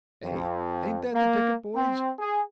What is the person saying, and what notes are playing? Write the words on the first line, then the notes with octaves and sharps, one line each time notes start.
"Eh, ain't that the ticket, boys!"
F2
A#3
C4
G#4